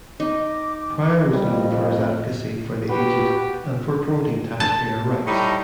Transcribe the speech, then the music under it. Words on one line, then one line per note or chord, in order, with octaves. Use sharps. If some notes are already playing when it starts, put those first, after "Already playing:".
Pryor was known for his advocacy for the aged and for promoting taxpayer rights.
D#4 D6
F2 G3 D#5
F#4 G4 B4
A5
A2 G3 D#4